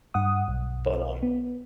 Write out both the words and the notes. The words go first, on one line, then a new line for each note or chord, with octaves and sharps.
but, um,
G2 F#5 D#6
B1
B3